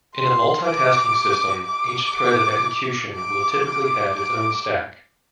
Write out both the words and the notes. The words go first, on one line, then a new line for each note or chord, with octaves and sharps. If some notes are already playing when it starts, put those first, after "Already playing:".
In a multitasking system, each thread of execution will typically have its own stack.
C6
D6
D6
D6
D6
D6